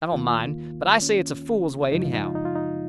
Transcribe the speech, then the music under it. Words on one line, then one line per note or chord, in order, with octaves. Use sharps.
I don't mind; but I say it's a fool way, anyhow.
D#2 D#3 A#3 F4
C#4
F#2 C#3 F3 G#3 D#4
F4
D#4
F4
D#4
F4
D#4